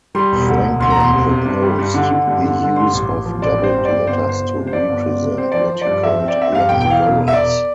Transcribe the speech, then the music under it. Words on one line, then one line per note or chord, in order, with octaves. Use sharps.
Franklin proposed the use of doubled letters to represent what he called long vowels.
G3 C6
E1
D2
E1
D2 C6
A#5
E1 C6
C3
C3
G2
G3
G2
D3
D3
G2
D3
D3
G2 C6
A1
A1
F3
A1 D5
C4
C5
G2
D5
C4
G1 C5
G1
C5
G1
C3
C5
F2 D5
G1
G1
C3
C4 C5
F3 D5
C5
F3
D5
G2
F3 E5
C4
D5
C4
E5
G2 F5
E1 G5
E3 G5
F5
E1
E1
E5
E1 D5